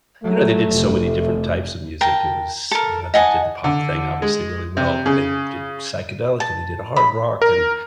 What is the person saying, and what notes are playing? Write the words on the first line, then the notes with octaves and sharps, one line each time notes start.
you know, they did so many different types of music, it was you know, they did the pop thing obviously really well, but they did psychedelic, and they did a hard rock, and
F#3 A3
F1
A#4 G5 A5
A4 A#4
D#5 F#5 G#5 A5
D3
G#3
C3
C#3
A5
B5
A#4